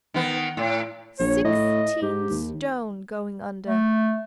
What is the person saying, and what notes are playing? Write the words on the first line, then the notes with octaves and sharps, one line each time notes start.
Sixteen stone going under.
D#3 B3
A2
A#1 C#5
A2 D#5
G#2 G4
D#2
A3